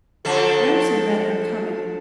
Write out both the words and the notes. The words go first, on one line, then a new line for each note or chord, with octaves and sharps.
Remsen met them coming.
D3 F3 A4